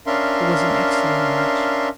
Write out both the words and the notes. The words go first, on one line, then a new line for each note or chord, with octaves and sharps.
It was an excellent match.
C#4 D4 A#4 E5 F5 C6